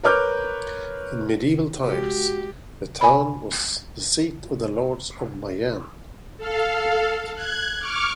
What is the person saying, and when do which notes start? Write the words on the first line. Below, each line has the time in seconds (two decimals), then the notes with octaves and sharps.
In medieval times, the town was the seat of the Lords of Mayenne.
0.03 A#4 B4 C#5 D6 F6 G6
1.87 G#3 F#4 G4
3.01 G#5 B5
6.38 A4 F5
7.35 F#6 G#6
7.79 C#6 D6 F6